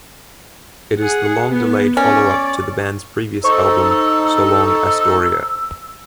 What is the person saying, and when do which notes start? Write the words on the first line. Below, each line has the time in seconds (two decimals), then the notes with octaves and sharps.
It is the long-delayed follow-up to the band's previous album "So Long, Astoria".
0.99 G#4 F#5
1.50 B3
1.97 C#4 D5
3.44 D#4 A4 C5 C#6 E6